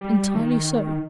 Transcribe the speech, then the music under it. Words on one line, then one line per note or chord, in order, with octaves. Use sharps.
"Entirely so."
G3
D#3